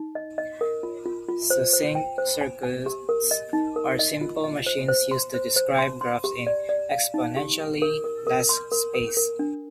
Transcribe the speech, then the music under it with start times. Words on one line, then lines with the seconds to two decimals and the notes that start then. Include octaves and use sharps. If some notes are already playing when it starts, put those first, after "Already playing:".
Succinct circuits are simple machines used to describe graphs in exponentially less space.
Already playing: D#4
0.15 D#5
0.38 D#5
0.61 A#4
0.83 F4
1.06 F4
1.28 F4
1.50 C5
1.73 C5
1.95 G5
2.18 C5
2.41 G#5
2.63 G#5
2.86 G4
3.09 A#4
3.31 D#5
3.53 D#4
3.76 A#4
3.99 D#5
4.21 F4
4.44 D#5
4.66 C5
4.88 C5
5.11 C6
5.34 C5
5.56 C5
5.79 C6
6.01 C6
6.24 G4
6.47 D5
6.69 D5
6.92 F5
7.14 D#4
7.36 G4
7.59 G4
7.82 A#4
8.04 A#4
8.27 A#4
8.49 C6
8.71 A#4
8.94 A#4
9.17 A#4
9.39 D4